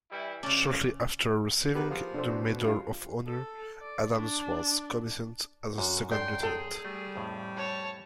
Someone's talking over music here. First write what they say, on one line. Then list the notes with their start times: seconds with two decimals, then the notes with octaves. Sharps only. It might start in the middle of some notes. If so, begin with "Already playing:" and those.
Shortly after receiving the Medal of Honor, Adams was commissioned as a second lieutenant.
0.11 E3 G3 E4
0.43 C#3 C#4 D5 A5
1.75 B3 G4 G#4 A#4
1.91 F3 F5 F#5 D#6
2.14 D4 A4 C5
2.28 B2 D4
2.45 B4
2.63 G2 F4 F5
3.27 A4
3.81 D5
4.15 D4
5.78 F#2 D3 F#4
6.12 A4 D5 G5 C6
6.43 G#4 A4
6.85 G3 A3
7.16 F2 A2
7.56 C#5 A5